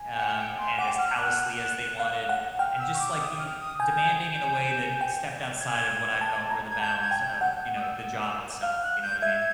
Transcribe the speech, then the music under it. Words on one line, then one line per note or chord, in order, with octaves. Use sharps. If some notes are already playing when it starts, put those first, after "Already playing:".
um, and as callously as they wanted, and just, like, be demanding in a way that stepped outside of what I felt were the bounds of, you know, the job itself. You know what I mean?
Already playing: G#5
F#5
G5
C6
F#5 D6
G5
F#5 F6
F#6
F5
F#5
G5 F6
E6
C#6
D6
D#6
F6
D#6
G#5 G6
G5
G#6
A5
A#5
G#6
A5 G6
G#6
G5
G#6
G6
F#5 G6
D#6
E6
F5 F6
F#6
G6
E5 G#6